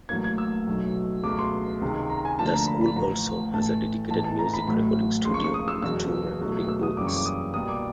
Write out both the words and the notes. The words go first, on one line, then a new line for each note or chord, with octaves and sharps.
The school also has a dedicated music recording studio with two recording booths.
A1 A2 F#3 A#3 G#6
G#6
E6
B1 B2 F#3 A3
C#2 B2 F#3 A3 D6
C6
C#2 C3 D#3 G#3
A#5
G#5
D2 D3 F3 A#3 A5
A#5
B5
B5
A1 A2 F3 A#5
A1 A2 E3 A3 A5
A1 G#2 E3 A3 A5
A5
A#5
B5
A1 A2 F#3 A3 B5
C#2 C#3 F3 A#3 C6
C#6
C#6
D#6
E6
E1 E2 B2 F#3 A#3 E6
C#2 B2 F#3 A3
E6
D#6
F#2 C#3 E3 G3 A#3 D6
C#6
D6
D#6
C2 B2 G3 A#3 D#6
D6